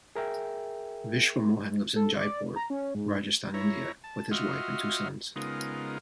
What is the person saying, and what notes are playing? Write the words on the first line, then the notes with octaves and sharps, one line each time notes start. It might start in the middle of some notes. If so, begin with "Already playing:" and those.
Vishwa Mohan lives in Jaipur, Rajasthan, India, with his wife and two sons.
G#4 A#4 E5 G5
A4
D5
A#5
C#4
G#2
E4 C#5 A#5
A5
F4 F#4 D#5 E5 C6 F6
C#3 G#3 B3 D#4 F4 A#4